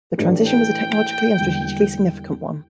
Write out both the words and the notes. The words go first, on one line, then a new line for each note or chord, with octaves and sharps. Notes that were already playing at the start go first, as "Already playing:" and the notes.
The transition was a technologically and strategically significant one.
A2 E3 A3 D4 G4
G5
E2 D3 G3 A#3